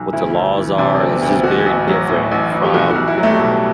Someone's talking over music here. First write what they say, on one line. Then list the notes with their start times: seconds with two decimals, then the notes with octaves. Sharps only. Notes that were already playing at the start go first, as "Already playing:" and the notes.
what the laws are. It's just very different from,
Already playing: B1
0.13 D2 E4
0.35 D2
0.56 E3
0.78 C3 D4
0.95 C4
1.00 D2
1.11 B3
1.22 D2
1.28 C4
1.43 A1 F#4
1.66 A1
1.87 F#3
2.09 A2
2.31 A1
2.52 A1
2.64 G4
2.74 B1 F#4
2.91 F#4
2.96 B1
3.08 E4
3.18 F#3
3.23 A3
3.31 G3
3.40 B2 A3